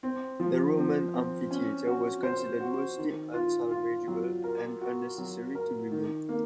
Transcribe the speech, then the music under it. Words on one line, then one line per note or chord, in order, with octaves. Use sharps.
The Roman amphitheatre was considered mostly unsalvageable and unnecessary to rebuilt.
C4
F3
C4
C4
C#4
F#4
C5
F#4
D#3
F4
F4
F#3
A#4
F#4
F#3
A#4
D#3
A#3